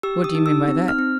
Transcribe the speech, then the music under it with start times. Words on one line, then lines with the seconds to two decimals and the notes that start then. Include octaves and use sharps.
"What do you mean by that?"
0.03 G4 E6
0.24 D#6
0.35 D#4
0.46 E6
0.68 C4
0.88 F6
0.99 C4